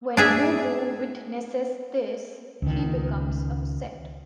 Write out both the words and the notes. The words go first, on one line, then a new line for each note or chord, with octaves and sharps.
When Boo Boo witnesses this, he becomes upset.
D4 G#4 E5
C#2 D#3